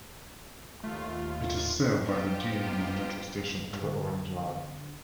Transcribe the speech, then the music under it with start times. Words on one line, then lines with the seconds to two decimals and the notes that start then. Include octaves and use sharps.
It is served by the Deanwood Metro station on the Orange Line.
0.84 D#2 A3 F4
2.04 B3 D#4 F4 G4 C5
3.82 D3